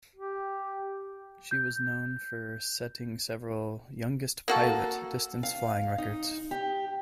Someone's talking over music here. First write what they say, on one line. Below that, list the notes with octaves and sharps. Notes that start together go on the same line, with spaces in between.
She was known for setting several "youngest pilot" distance-flying records.
G4
G6
A#3 F#4 A4
F5
D#4
G4